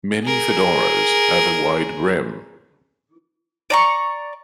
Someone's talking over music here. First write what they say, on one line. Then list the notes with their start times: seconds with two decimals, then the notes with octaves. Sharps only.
Many fedoras have a wide brim.
0.24 G#4 A#4
3.70 D5 A#5 C#6